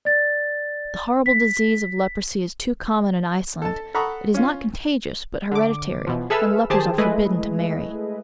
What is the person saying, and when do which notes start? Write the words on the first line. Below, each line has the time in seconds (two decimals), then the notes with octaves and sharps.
The horrible disease of leprosy is too common in Iceland; it is not contagious, but hereditary, and lepers are forbidden to marry.
0.05 D5 A6
1.26 B6
3.62 A4 A5
3.94 A4 F#5 A#5 B5 C#6 D#6
4.34 C#4 F4
5.52 D3 D6
6.07 B2 E3 F3
6.30 G#4 A4 B4 E5 E6 F6
6.70 D#3 G4 G#4 C5 A5
6.98 G#3 A3 E4 G#4 B4 D#5